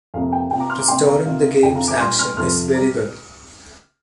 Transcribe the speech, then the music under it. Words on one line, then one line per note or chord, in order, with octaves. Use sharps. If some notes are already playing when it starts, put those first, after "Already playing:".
Restoring the game’s action is very good.
F2 C3 A#3 F5
G5
C3 A#3 F4 G5
A#5 D6
C6 F6
A#5 D6
C3 A#3 D4 G5 C6
F5 A#5
C3 A#3 D4 F4
F2 C3 F3 D4 G5
F5 A#5
A#5 D6
A#2 G3 D4 C6 F6
C6 F6
F2 C3 F3 C6 F6
G3 A#5 D6